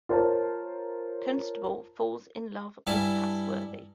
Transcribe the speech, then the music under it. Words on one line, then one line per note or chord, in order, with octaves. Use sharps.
Constable falls in love with Passworthy.
F4 A#4 C5 C#5 A5
G2 G3 E4 G#5 A5